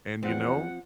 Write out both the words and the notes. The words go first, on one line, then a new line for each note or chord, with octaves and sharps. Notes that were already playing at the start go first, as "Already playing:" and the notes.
and, you know,
E2 F3 C4 F#5